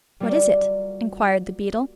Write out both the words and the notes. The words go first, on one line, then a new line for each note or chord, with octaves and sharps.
'What is it?' inquired the beadle.
G3 A#3 F4 F#4 D5